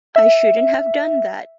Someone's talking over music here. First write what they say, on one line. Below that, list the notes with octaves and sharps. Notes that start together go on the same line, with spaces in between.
I shouldn't have done that!
E5